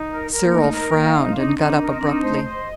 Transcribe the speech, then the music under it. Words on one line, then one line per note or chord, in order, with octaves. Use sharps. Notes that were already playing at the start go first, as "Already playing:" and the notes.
Cyril frowned, and got up abruptly.
Already playing: D#4
A#4
A#4
A#3
A3 D#4
A#4
A#3 F5
D#4
C4
D4 D#4
C4 D#4
D4
A#4
C4
D4 D#4
C4
A3 C5
D#5